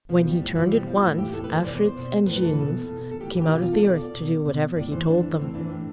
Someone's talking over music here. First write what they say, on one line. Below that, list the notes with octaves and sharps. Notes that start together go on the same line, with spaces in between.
When he turned it once, Afrits and Djinns came Out of the earth to do whatever he told them.
B2 F3
F3
G3
A2 G3
E3 F3
B2 G3
F3
A2 E4
E3 G4
A2 A4
B4
E3 C5
B2 D5
C5
B2
A2 B4
B4
E3 A4
B2
B2
A4
A2 G4
B4
E3
G4
B2 F4
F4
A4
B2 D5
D5
B2
B2
A2 D5
E3 C5
A2 D4
E3
A2 C4
E3 D4
A2